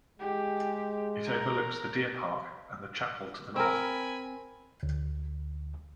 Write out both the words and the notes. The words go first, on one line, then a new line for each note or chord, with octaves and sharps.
It overlooks the Deer Park and the Chapel to the North.
G#3 G4
A#4
C4 A#4 G#5 B5
D2